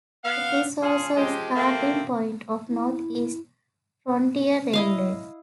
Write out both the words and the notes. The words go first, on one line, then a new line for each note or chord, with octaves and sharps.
It is also starting point of North East Frontier Railway.
B3 F5
C#4 D4 F4 G#4
F3 G#3 G4
A#3 C4 E4 F#4 G4 A4
E4
E4 D#5 F5